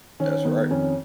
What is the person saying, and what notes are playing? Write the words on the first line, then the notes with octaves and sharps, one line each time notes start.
That's right.
D#3 C#4
D#3 B3
F2 C#4